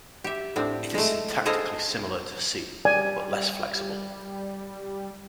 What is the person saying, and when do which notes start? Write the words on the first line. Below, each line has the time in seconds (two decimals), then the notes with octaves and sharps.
It is syntactically similar to C, but less flexible.
0.24 G4 E5
0.56 A2 C4 D4
0.95 G#3 A3
1.45 G#4 A4 C5 D#5 F5
2.85 G3 D5 G#5